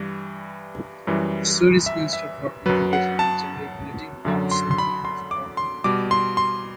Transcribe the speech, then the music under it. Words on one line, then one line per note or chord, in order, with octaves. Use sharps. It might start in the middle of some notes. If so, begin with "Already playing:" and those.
The Swedish Minister for Integration and Gender Equality, Nyamko Sabuni, was born in Burundi.
Already playing: G2 E3 G3
F#2 E3 G3
E5
E5
F#2 F#3 B4
F#5
A5
F#2 D3 F#3
C6
C6
B5
C6
D6
C6
B2 G3 D6
C6
C6